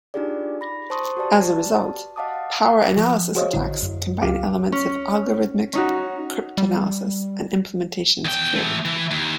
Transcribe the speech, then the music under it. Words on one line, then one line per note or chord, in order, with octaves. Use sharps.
As a result, power analysis attacks combine elements of algorithmic cryptanalysis and implementation security.
D4 D#4 F4 G4 G#4 D5
B5 A#6
C5 A5 C6 C#6 D#6
F#4 G4 B4 D5 A5
D#5 F5 F#5 A5 D6 D#6
F3
F#4 G#4 C5 C#5 D#5 F5
A1 D3 E4
F#2
C#2 F#3 F4 G4 F5 D6
C#4
C#4 D#4 F#4
G3
E2 G5
E3 A3
E3
D#2